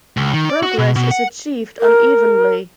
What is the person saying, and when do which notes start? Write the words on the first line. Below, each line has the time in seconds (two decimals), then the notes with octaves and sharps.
Progress is achieved unevenly.
0.17 C#2
0.34 D#3
0.49 D5
0.63 F#4
0.78 B2
0.96 B2
1.11 F#5
1.80 A#4